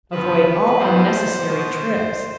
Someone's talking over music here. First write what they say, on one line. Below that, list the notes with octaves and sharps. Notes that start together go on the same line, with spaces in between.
Avoid all unnecessary trips.
G2 F3 B3 B4
G2 E3 B3 C5
B2 B3